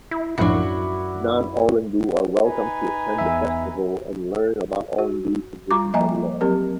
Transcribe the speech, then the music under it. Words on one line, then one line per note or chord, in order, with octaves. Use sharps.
Non-Yolngu are welcome to attend the festival and learn about Yolngu traditions and Law.
E4
B1 F#2 A2 F3 D4 E4 F#4
D#4 B4 G#5
E2 E5
F#4
G3 F4 A#5 C#6 D6
F3 A#3 D#5 E5 G#5 A#5
F#3 C4 G4 A#4